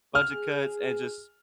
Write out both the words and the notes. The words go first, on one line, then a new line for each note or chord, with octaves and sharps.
Budget cuts, and just
G#4 F6